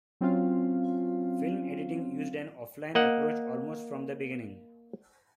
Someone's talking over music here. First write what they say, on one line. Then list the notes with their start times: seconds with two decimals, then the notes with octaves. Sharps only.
Film editing used an offline approach almost from the beginning.
0.21 F#3 C4 C#4 F4 F5
2.95 A#3 D#5 F#5